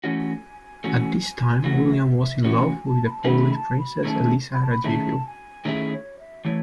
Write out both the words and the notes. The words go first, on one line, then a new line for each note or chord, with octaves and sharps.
At this time, William was in love with the Polish Princess Elisa Radziwill.
E3 A3 C#4 F#4 G#5
E3 A3 C#4 F#4
E3 A3 C#4 F#4 F#5
E5
E5
E3 A3 C#4 F#4 E5
G#5
A5
B5
A5
D#3 A3 C#4 E4 G#4 B5
B5
A5
B5
D#3 A3 C#4 E4 G#4 A5
B5
A5
B5
D#3 A3 C#4 E4 G#4 A5
G#5
D#3 A3 C#4 E4 G#4 E5
C#5
E5
E3 A3 E4 C#5